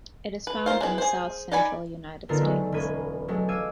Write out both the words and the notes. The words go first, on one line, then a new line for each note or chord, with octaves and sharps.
It is found in the south central United States.
B4
F4 A#4 C5 F5
G#3 B3 C#4 E4
G#4 C5
D#4 D5 G#5 B5
D3 B3 D#4 F4 A4 A#4
F#3 G#3 A3
E1 A#3 C#4 B5 G#6 D#7
F#3 G#3 A3
F5 D6 E6 G#6 D#7 E7